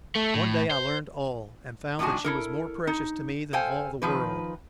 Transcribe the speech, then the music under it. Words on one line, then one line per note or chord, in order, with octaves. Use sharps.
One day I learned all, and found that she was more precious to me than all the world.
A3
A2
C5
A2 D#3 F3 D4 F#4 G#5
E4 A4 A#4
D#4
A4 C5 F5 G5 G#5
D#3 F3 B4